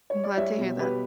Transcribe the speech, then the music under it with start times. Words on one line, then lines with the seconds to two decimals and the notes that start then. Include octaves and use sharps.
I'm glad to hear that.
0.10 C#5
0.24 D5
0.37 G3 C#5 E5
0.58 B2
0.79 B2 G4 B4